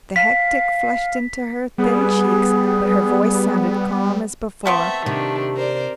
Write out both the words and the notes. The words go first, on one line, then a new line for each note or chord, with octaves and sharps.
The hectic flushed into her thin cheeks, but her voice sounded calm as before.
F5 B6
G3 B3 G#4
A3 B3 C4 E5
C3 D#3 D4
A#4 C5 D5